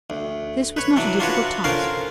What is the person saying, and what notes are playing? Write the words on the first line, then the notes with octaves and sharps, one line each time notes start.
This was not a difficult task.
D2
B4 C#5
E3 F#3 D4
D4 F4 F#4 B4 C#5
D3 C#4 F4 A#4 C5